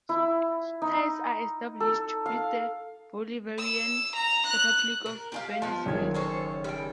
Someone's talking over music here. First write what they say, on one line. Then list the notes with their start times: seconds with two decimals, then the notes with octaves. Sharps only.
Ties are established with the Bolivarian Republic of Venezuela.
0.09 E4
0.82 D#4
1.80 A4
2.26 F5
3.59 E6
4.16 A#5
4.47 F#6
5.06 A#4
5.32 G4 G#4 F5
5.62 F3 B3 A5
5.86 F#1 D#3 G#6
6.14 A4 C5 C#5
6.64 G3 G5